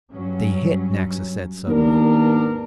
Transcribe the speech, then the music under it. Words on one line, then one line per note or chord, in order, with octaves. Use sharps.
"They hit!" Naxa said suddenly.
G2 F#3 C#4
G#1 D#2 B3 D4 A#4